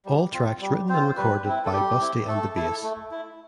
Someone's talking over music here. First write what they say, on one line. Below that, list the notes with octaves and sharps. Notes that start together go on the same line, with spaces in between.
All tracks written and recorded by Busty and the Bass.
G3
C4 F4
G3
C4 F4 C5
G3 B4
C4 E4
A4
G3 G4
C4 E4
A3 A4
E4 A4
A3
E4